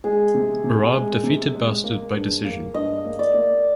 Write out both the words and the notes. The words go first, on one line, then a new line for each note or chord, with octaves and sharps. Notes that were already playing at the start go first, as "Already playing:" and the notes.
Urabe defeated Bastard by decision.
G#3 G#4
C3
C3
G#3
C3
G#3
A#3
G2
A#3
G2 D#5
A#3
D5
A#3